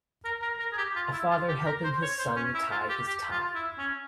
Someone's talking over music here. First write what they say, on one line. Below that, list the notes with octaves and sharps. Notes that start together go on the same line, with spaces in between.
A father helping his son tie his tie.
A#4
A#4
A#4
G#4
G4
F4
E4
F4
G4
A#4
C5
C#5
C5
C#4
E4
F4
G4
G4
F4
E4
C#4